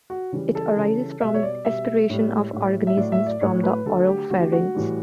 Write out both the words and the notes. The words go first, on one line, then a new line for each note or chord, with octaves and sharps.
It arises from aspiration of organisms from the oropharynx.
F#4
C#3 E3 G3
A4
C#3 E3 G3
B2 G3 E5
C#5
D5
B2 G3 E5
A2 G3
A2 G3
E5
A2 F#3 A3 D5
E5
D5
A2 F#3 A3 C#5
B4
D3 F#3 A3 A4
G4
D3 F#3 A3 F#4
G4
F#4
A2 E3 G3